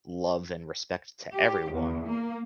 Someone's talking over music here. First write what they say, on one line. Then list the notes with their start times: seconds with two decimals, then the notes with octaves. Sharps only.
love and respect to everyone."
1.34 G4
1.71 E2
2.07 A#3